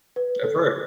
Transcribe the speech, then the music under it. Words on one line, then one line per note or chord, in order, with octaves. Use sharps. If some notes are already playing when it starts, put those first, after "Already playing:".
That's right.
B4
A4